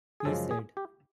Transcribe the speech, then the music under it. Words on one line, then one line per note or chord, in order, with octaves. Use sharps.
He said ...
G#4
F#2 C#3 F3 G#3 A4
G#4
G4